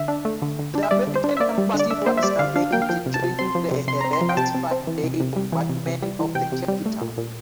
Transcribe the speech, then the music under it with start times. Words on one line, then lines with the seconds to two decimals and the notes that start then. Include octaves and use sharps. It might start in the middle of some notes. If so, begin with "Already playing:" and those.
The American embassy was damaged during Herrera's five-day bombardment of the capital.
Already playing: D3 E5
0.08 D4
0.25 A3
0.42 D3
0.59 D3
0.75 D4
0.83 E5
0.91 G3 D5
1.07 D3
1.15 C5
1.24 D4
1.37 E5
1.40 A#3 D5
1.58 G3
1.74 D3
1.79 D5
1.91 D4 E5
2.06 A#3 C5
2.17 E5
2.23 G3 D5
2.39 D3 F5
2.56 D4 F5
2.72 A#3 G5
2.82 F5
2.89 F3 G5
3.06 C3
3.14 A5
3.22 C3
3.39 C4 C6
3.55 F3
3.71 C3
3.88 C3 C6
4.01 A#5
4.04 C4
4.13 C6
4.21 F3
4.29 G5
4.37 C3 A5
4.54 C3
4.71 C4
4.87 E3
5.03 C3
5.20 C3
5.36 G3
5.52 E3
5.69 C3
5.87 C3
6.02 G3
6.19 E3
6.35 C3 G5
6.52 C3
6.68 G3
6.86 A3
7.02 A#2
7.17 A#2